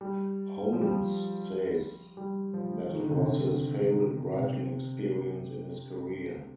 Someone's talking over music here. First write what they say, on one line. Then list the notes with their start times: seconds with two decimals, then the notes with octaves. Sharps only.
Holmes says that it was his favorite writing experience in his career.
0.01 G3
0.73 F3
0.81 G3
0.91 F3
2.17 G3
2.54 F3
2.89 D#3
3.00 D3
3.11 C3
3.22 D3
4.33 C3